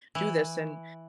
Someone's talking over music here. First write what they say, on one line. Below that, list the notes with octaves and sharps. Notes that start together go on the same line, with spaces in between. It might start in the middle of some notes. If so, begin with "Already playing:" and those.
do this and,
E3